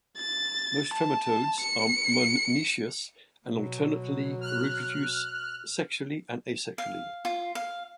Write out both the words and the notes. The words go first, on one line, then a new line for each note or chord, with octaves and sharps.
Most trematodes are monoecious and alternately reproduce sexually and asexually.
A6
A5
C#7
B2 F#3
F6 F#6
F5
F4
F5